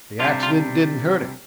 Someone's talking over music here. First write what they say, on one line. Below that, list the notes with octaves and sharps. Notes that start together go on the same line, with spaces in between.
The accident didn't hurt him.
C3 G3 D4 F4
F4